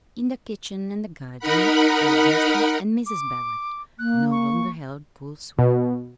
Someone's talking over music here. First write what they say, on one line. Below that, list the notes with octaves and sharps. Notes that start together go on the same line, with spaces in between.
In the kitchen and the garden old Mr. and Mrs. Barrett no longer held full sway.
D#4 A#4 F#5 B5
D6
A#3 F#6
C#6
B2